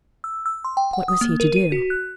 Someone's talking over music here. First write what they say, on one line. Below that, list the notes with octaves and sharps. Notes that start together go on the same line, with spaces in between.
What was he to do?
E6
E6
C6
G5
F#5
D#6
A#3
A#4
D#7
F#4
F#6